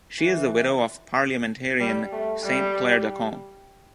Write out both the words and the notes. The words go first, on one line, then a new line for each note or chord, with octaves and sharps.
She is the widow of parliamentarian Saint Clair Dacon.
E3
G3
A3
G3